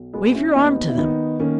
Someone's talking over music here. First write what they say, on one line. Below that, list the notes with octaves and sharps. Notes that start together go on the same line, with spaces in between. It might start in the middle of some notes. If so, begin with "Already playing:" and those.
"Wave your arm to them."
Already playing: B1
B2 G#3 B3
C#4 E4
D#2 B3 D#4
E4
D#3 B3 D#4
D#3 A#3 C#4